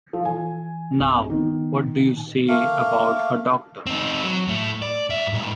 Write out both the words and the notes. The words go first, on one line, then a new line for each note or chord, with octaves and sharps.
Now, what do you say about her doctor?
F3 A4
E3 G#5
C2 G2 C4
D#3 B3
A#2
A3 A#3 F5
C4 D#4
F#3
A2 A3
D5
G2 E5
A#2 G#3